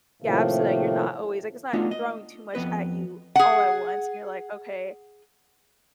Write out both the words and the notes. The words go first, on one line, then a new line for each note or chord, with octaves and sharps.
gaps so that you're not always like it's not throwing too much at you all at once and you're like, "Okay.
A2 C3 D#3 F3 A3 A#3
A3 B3 D4 D#4 F4 F#4
D#5
F2 B3 B4 D#5
G#4 F#5